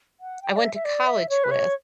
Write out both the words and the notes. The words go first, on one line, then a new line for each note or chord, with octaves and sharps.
I went to college with,
F#5
G5
D5
E5
E5
D5
E5
C#5
B4
C#5